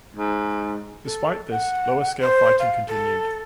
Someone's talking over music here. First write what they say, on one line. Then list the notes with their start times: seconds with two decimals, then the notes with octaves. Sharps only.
Despite this, lower-scale fighting continued.
0.17 G#2
1.05 A4
1.51 F#5
2.20 C5
2.60 F5
2.88 A4